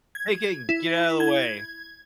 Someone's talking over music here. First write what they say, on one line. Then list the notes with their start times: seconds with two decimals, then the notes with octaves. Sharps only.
Hey, King, get outta the way.
0.15 G#6
0.69 E4
1.20 G#6